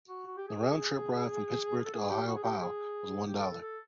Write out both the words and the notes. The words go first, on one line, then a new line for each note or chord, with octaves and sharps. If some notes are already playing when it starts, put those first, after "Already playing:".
The round trip ride from Pittsburgh to Ohiopyle was one dollar.
F#4
F#4
G4
G#4
G#4
A4
G#4
G4
F#4
G#4
G4
G#4
G4
A4
A4
A4